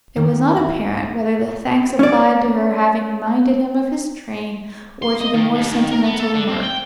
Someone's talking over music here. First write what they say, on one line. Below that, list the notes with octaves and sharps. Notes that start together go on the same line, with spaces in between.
It was not apparent whether the thanks applied to her having reminded him of his train or to the more sentimental remark.
D#3
E4
C#4 D5
C6
D#5
D#3
D#2
D#3
A#4
B3
A4
D3
C4
G5